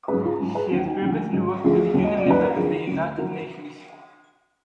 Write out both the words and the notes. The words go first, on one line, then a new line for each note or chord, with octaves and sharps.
She has previously worked with Unilever and the United Nations.
G#2 F#3 G#4 B4
F4 G#4
G#2 F#3
G#4 B4
D#2 D#3 F#3
D#4 F#4
D#2 D3 F3
G#2 D#3 F#3
D2 D3 F3 F4 G#4
D#2 D#3 F#3
D#5
D5
D#2 D#3 F#3 B4
A#4
F2 D3 F#3 F4 G#4
D2 D3 F#3
D#3 F#3 F#4 A#4